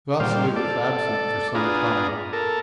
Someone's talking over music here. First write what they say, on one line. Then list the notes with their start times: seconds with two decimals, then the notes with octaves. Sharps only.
Vasily was absent for some time.
0.20 A#2 G3 C5 F5
0.56 A4 D5
1.55 B3 D4 F4 G#4 A#5
2.33 A4 A#4